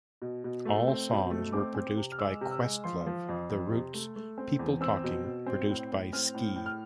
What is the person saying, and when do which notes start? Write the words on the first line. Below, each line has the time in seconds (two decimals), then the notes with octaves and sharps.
All songs were produced by Questlove, The Roots; "People Talking" produced by Ski.
0.22 B2
0.44 B2
0.65 A3
0.88 C4
1.09 B2
1.31 A3
1.52 C4 D6
1.75 C4
1.97 C3
2.12 F6
2.18 G#3 E6
2.41 C3
2.51 E6
2.63 G#3
2.84 F3 C6
3.06 F3
3.29 F2
3.50 F2
3.72 C3
3.94 A3
4.16 A3
4.38 C4
4.59 E2
4.81 C4 E6
5.04 B2
5.25 B2
5.47 C4
5.69 A2
5.91 A2
6.13 C4 F6
6.34 A2
6.56 A2
6.66 F6